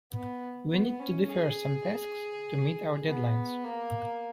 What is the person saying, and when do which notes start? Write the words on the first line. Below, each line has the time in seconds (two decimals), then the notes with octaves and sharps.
We need to defer some tasks to meet our deadlines.
0.12 B3
0.70 B3
1.00 C#4
1.29 G#4
3.05 B3
3.64 A#3